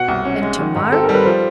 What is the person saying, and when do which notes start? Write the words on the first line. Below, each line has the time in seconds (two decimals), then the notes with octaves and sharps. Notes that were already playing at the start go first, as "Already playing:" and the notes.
And tomorrow?
Already playing: B2 F#5
0.08 C2
0.25 C#4
0.42 G#3
0.59 D#3
0.76 G#2
0.92 C4 A4
1.04 A#4
1.09 G3
1.14 B4
1.25 F3 C5